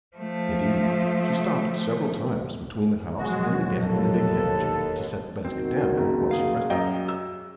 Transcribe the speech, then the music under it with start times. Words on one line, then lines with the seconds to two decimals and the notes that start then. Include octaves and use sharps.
Indeed, she stopped several times between the house and the gap in the big hedge to set the basket down while she rested.
0.17 F3 A3
3.18 E1 A#2 F3 F#3 G#3 F#4
3.80 D#2 A4
5.45 D#3 C4 F#4
5.97 F#1
6.31 G#4 F5
6.70 F#2 D#5 G5
7.08 E6